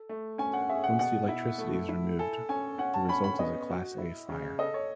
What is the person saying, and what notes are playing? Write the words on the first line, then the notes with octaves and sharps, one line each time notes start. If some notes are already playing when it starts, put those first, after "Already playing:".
Once the electricity is removed, the result is a Class A fire.
Already playing: A4
A3
C#4 G#5
F#5
G#4 E5
F#5
B2 F#5
E4
A3
E4
A4 G#5
C#4 G#5
C#4 F#5
A5
C#4 B5
B5
B3 D#5
F#4
E4
C#3
A4 D#5
C#5